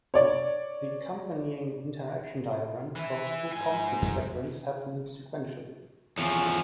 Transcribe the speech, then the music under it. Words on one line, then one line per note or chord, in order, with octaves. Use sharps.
The accompanying interaction diagram shows two Compton scatterings happening sequentially.
C#5 D5
E3 E4
G#2 G#5
F2 G3
E2 F3 C#4 C#6